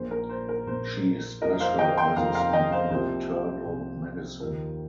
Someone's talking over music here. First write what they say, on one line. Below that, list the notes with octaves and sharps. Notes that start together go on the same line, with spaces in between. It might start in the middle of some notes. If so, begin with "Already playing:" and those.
She specializes in internal medicine.
Already playing: A#1 A#2 A#3 C5
A#4
C5
A#4
A#1 A#2 A#3 C5
F1 F2 F3 A#3 A#4 D#5
C5 F5
D#5 G5
G5 C6
F1 F2 F3 A#3 F5 A#5
F5 A#5
D#5 G5
C5 F5
C2 C3 F3 A#3 C5
C2 C3 F3 A#3
D#2 D#3 A#3 F4 A#4